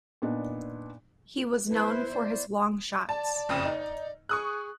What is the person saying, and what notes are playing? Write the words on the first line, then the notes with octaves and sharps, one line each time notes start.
He was known for his long-shots.
A#2 B3 D4 D#4
B3 E4 B4 C5
D5
D5 A5
F#1 F2 C#3
D#4
G#4 C#6 D#6 F#6